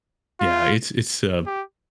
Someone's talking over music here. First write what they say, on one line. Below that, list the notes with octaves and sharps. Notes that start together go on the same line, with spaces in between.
Yeah, it's it's, uh
F4
G4